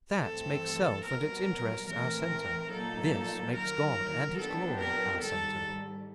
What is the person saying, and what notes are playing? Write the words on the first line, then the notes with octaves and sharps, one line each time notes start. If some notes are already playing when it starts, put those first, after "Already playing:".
That makes self and its interests our centre; this makes God and his glory our centre.
G2 E3 A3 C4 A4
C2 B2 F#3 A#4
A2 E3 A3 C4 A#4
A#2 F#3 A#3 D#4 A4
D#2 D#3 F#3 A#4
A#2 F#3 B3 D4 G4 A4
A#4
G#2 D#3 G3 A4